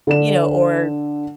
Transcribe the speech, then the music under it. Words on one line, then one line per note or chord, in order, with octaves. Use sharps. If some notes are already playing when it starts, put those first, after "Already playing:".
You know, or,
D3 D4 E7